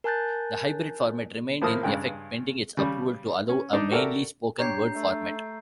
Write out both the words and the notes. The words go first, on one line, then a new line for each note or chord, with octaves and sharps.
The hybrid format remained in effect pending its approval to allow a mainly-spoken-word format.
A#4 G#5 A5 F#6 G6 A6
A2 F3 A#3 A5 D#6
G2 C#3 G#3 G5
C#3 G3
C#4
D4 D#4 D5 D#5
F#4 G4 A4 A#4 D5 E5
D4 G4 C#5 A#5 G6 C7
A3